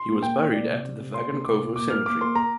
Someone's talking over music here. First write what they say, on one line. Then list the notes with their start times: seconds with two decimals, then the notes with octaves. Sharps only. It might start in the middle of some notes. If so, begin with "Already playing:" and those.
He was buried at the Vagankovo Cemetery.
Already playing: C6
0.08 A#2
0.22 A#3 G5
0.38 A#2
0.53 A#3 D5
0.68 C3
0.83 C3
1.00 C3
1.14 A#3 C6
1.30 C3
1.45 C3 D6
1.60 A#3
1.75 A#2 D6
1.90 A#3 F6
2.06 A#3 D6
2.21 A#3 C6
2.35 A#3 A#5